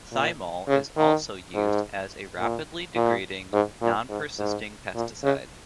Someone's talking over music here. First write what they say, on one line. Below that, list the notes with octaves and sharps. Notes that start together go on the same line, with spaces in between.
Thymol is also used as a rapidly degrading, non-persisting pesticide.
A#2
C#3
D#3
G#2
A#2
A#2
G#2
A#2
G#2
G#2
A#2
C#3